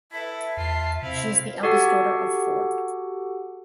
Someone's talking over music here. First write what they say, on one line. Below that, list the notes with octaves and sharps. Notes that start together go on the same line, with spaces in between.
She is the eldest daughter of four.
E4 A4 B4 E5
E2 F4 A5 C7
C3 C4 E4 F5
F#4 G4 A4 F#5